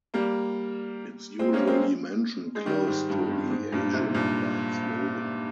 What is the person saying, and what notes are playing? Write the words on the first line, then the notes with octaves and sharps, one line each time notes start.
It's usually mentioned close to the Asian Pride slogan.
G3 A#3
G#3 C4
A#3 C#4
G#3 C4
G#3
D#3 G3
G#2
G2
G2
G#2
G2 A#2
G#2 C3
G2 A#2